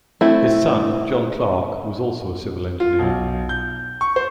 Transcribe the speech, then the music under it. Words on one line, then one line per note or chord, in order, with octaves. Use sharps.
His son, John Clarke was also a civil engineer.
A3 C4 E4
F4
B1
G6
C#6
C5